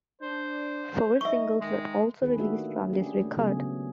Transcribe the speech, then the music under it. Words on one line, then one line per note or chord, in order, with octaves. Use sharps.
Four singles were also released from this record.
D4 C5
D#4 D#5 E5 C#6
D#3 G#3
D#3 G4 G#4 B4
A3 A#3 D4 F4 F#4 E5
C#4 D4 G4 G#4
A3
C#3 F#3 B3 G#4